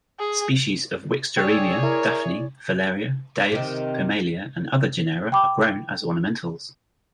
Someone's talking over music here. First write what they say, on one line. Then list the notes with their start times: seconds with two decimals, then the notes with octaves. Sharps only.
Species of "Wikstroemia", "Daphne", "Phaleria", "Dais", "Pimelea" and other genera are grown as ornamentals.
0.19 G#4
1.37 G#4 C#5 D5 G5 E6 A6
1.83 E4 A#4
3.52 C3 D#3
5.32 G5 B5 D6